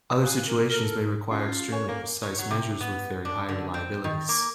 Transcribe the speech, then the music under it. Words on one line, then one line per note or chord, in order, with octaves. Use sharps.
Other situations may require extremely precise measures with very high reliabilities.
F5 G#5 F#6
A#4
A4 A#4 F6
C#4 F4
A4 A#4 C#5 G#5
A#3
C#5
F#3
C3
B3
D4
D3
C4
D#3
A#3